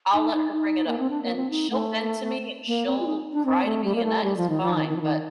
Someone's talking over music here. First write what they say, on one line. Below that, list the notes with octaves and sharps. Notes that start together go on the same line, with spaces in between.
I'll let her bring it up, and she'll vent to me and she'll cry to me, and that is fine, but
D#4
D#4
D#4
A#3
C4
D4
A#3
C4
D#4
A3
A#3
C4
F4
D#4
D4
C4
A3
G3
A#3
A3
G3
F3
D#3
F3
D#3
D#3
F3
D#3